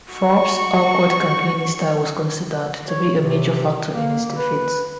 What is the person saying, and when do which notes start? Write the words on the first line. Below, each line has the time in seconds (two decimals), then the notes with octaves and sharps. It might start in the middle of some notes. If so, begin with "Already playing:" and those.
Forbes' awkward campaigning style was considered to be a major factor in his defeat.
0.12 F#4 C#6
2.89 C#5
3.15 C3
3.91 A#3
4.35 B4